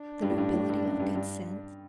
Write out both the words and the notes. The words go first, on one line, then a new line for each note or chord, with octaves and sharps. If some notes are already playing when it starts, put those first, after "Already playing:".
The nobility of good sense.
Already playing: D4
G2
A2
G2
A2
G2
F#2
G2
G2